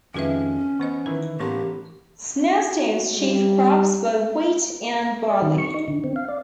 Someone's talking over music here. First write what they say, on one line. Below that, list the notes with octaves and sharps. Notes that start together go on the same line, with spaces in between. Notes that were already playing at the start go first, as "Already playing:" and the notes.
Snarestone's chief crops were wheat and barley.
F2 D#3 G#3 C#4 F#4 B4 E5
E3 B3 C5 D#5
D#3 E3 B4
A2 E3 A#3 B3 C#4 G4 C6
F#4
G3
D5
D#3
C#6
D#4
D3
C4
F5
D5